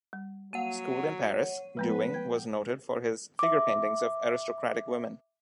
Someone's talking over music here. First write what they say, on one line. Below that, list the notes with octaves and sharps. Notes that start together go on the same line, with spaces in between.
Schooled in Paris, Dewing was noted for his figure paintings of aristocratic women.
G3
F#3 A#3 F5 F#5 D#7
C#5
F3 G#3 B3 B4
G5 G#6
E5 D6